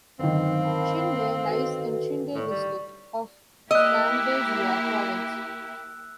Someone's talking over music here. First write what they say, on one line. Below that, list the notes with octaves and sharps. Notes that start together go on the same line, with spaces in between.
Chinde lies in Chinde District of Zambezia Province.
G1 D#3 F#3 C4 F5
A#4 A5 B5
F#4 A4 B4
A2 D5 C#6
G3
A#3 E4 G4 D#5 E6 F#6